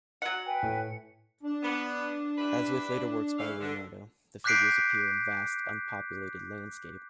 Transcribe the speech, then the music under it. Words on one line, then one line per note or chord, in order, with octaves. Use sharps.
As with later works by Leonardo, the figures appear in a vast unpopulated landscape.
F#3 F#5 C#7
B4 G5 G#5
A2
D4
B3
E4 G4 B4
E3 A3 F5
D3
D6 F#6 G6 B6 C7 D7